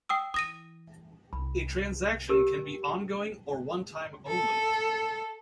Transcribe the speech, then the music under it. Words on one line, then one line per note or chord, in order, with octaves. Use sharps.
A transaction can be ongoing, or one-time only.
G5 D#6 E6
E3 D#6 A#6 D#7
C2 B5
G4 A#4 E6
A4